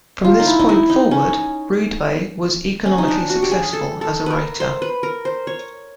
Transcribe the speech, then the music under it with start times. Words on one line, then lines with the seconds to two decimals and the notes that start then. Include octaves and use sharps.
From this point forward, Rydberg was economically successful as a writer.
0.25 F4
0.39 D#4
0.47 E4
0.59 D#4
0.69 E4
0.90 D#4
1.11 C#4
2.86 C#4
2.98 D#4
3.08 D4
3.29 F#4
3.42 G4
3.51 G#4
3.73 A4
4.01 A4
4.26 A#4 B4
4.60 C5
4.82 B4
5.03 A#4
5.25 C5
5.47 C#5